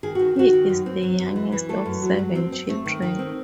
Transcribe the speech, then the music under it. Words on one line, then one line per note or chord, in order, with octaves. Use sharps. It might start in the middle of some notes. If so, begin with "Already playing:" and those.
He is the youngest of seven children.
D#3 G#4
D#3 F#4
D#3 F#4
D#3
F#2
C4
F#3
F#2
E3
E3
A3 A4
F#2
F#3
F#3
C4
C4
A3
D#3
D#3
C4